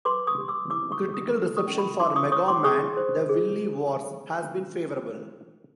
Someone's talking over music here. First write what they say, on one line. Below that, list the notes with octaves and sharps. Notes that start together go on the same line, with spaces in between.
Critical reception for "Mega Man: The Wily Wars" has been favorable.
B4 C6 D6
C#6 D#6
G4
D6 E6
E4 D6 E6
C#6 D#6
G#4
C#6 D#6
A4
C#6 D#6
C#4
B5 C#6
E4 C6 D6
C#6 D#6
C#5 C#6 D#6
C6 D6
G#4 C#6 D#6
C5
G#4